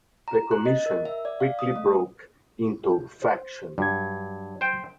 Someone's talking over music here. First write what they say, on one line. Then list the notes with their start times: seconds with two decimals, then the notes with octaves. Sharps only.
The commission quickly broke into factions.
0.28 A#5
0.51 F#6
0.65 D#5
0.86 A#4
1.05 E5
1.25 D5
1.40 F5
1.59 D#6
1.76 A3
3.22 C5
3.78 G2 F#3 F#4 G#6
4.61 C5 G5